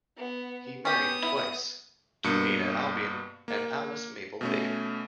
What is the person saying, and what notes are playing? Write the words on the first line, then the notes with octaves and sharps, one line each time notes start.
He married twice, to Ada Albion and Alice Mabel Baker.
B3
B3 C#4 G4 D#6
E4
G2 B2 A#3 C#7
A#3
B2 A3 C#4